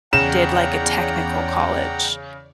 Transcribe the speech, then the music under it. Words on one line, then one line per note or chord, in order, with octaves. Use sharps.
did, like, a technical college.
E2 C#3 C#5 D5 F#5 G5 A#5 E7